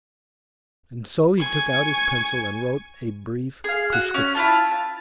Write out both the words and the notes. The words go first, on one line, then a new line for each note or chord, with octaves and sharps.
And so he took out his pencil and wrote a brief prescription.
G#5 C#6
G#4 F5
F#4
C#4
E4 F4 A5
A5